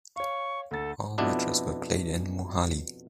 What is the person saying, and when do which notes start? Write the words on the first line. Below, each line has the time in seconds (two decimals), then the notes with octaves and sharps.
All matches were played in Mohali.
0.16 C#5 F5 C#6
0.71 D2 A4 A6
1.18 F2 B2 B3 D4 E4